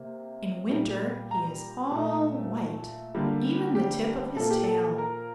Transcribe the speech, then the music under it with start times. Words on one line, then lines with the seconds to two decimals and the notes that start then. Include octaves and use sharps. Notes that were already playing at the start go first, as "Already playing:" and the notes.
In winter he is all white, even the tip of his tail.
Already playing: C3 A#3
0.70 A#2 G3 A#3
1.31 A#5
1.92 A#2 A3
3.15 D3 G3 A#3
3.75 G4
4.36 A#2 F3 A#3 A4
4.50 G4
4.64 A4
4.98 A#4